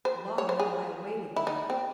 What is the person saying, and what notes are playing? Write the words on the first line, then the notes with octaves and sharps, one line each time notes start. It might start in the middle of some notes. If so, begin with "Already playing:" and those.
Long have I awaited thee!'
C5
C#5
C5
G#4
E4
D#4
C4